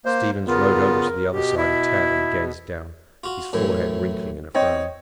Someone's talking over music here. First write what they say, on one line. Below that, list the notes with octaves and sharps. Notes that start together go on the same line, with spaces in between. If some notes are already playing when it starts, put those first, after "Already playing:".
Stevens rode over to the other side of Tad, and gazed down, his forehead wrinkling in a frown.
A#3 C5
C#3 B3 F4 A#4
B2 G4
E4
F4 F#4
F#2 A2 E3
C4 C#5 D#5 G5